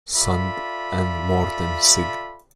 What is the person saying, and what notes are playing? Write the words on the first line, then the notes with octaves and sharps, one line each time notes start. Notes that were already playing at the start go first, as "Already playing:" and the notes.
Sundt and Morten Sig.
F4 A4 D5 E5 B5